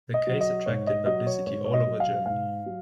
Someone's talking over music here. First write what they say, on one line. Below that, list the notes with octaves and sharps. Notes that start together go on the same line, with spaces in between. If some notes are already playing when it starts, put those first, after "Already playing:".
The case attracted publicity all over Germany.
D#5
F#3
D#5
G#2 C#5
D#5
F#3 D#5
C#5
G#2 C#5
C#5
D#5
F#3
F5
G#2 F5
F#3